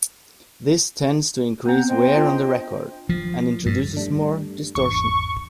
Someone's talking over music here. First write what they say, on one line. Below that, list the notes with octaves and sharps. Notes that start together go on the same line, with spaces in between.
This tends to increase wear on the record, and introduces more distortion.
B3 C4 F#5 A#5 G6
C5 D#5 G5
D4 F4
F3
G2
G3 A3 D4
G#1 E2 C#6